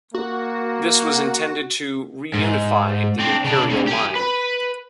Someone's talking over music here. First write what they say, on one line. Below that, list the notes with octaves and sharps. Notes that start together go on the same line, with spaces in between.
This was intended to reunify the Imperial Line.
A#3 F#4
G#2
C4 D4
C#3 D4
D2 C3
G4 G#5
B4